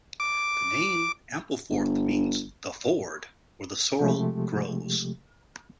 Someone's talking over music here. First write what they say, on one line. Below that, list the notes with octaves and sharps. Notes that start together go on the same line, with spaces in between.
The name Ampleforth means the ford where the sorrel grows.
D6
G1
C3 F3 G#3 A3 G4